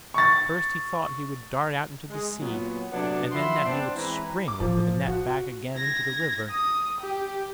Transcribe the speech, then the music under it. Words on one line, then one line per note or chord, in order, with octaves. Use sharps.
First he thought he would dart out into the sea, and then that he would spring over the net back again into the river.
C#6 A6
G#3
A#2 F#3 B3
C3 F#3 A3 B3 D4
F#2 F3 E5 F#5 B5 C6
B3 C4 D4
E3 G#3 C4 E4 B4 A#5
D6
A2 E3 F3
F4 F#4
G#6 A#6
D#6
G4